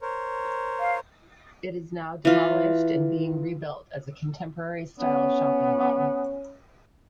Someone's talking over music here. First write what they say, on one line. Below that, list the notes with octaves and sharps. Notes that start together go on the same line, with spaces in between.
It is now demolished and being rebuilt as a contemporary style shopping mall.
A#4 C5 C#5
F5
E3 F4
B3 C#4